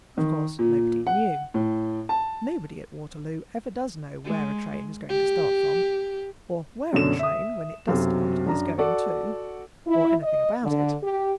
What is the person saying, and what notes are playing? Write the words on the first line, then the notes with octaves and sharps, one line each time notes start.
Of course nobody knew; nobody at Waterloo ever does know where a train is going to start from, or where a train when it does start is going to, or anything about it.
D#3
A#2
F#5
A2
A5
G#3
G4
F#2 B2 D3 C#4 E7
E5 D#6
B1 F#2 C3
F#2 D4 A#5
F#4 A4 D5 F#5
E4
D#5
D3
G4